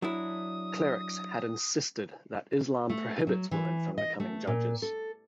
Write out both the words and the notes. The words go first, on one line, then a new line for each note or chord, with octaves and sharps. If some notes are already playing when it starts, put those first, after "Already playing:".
Clerics had insisted that Islam prohibits women from becoming judges.
F#3 D4 E4 D#6
A3
F#3
E3
D#5
A3
A#2
A4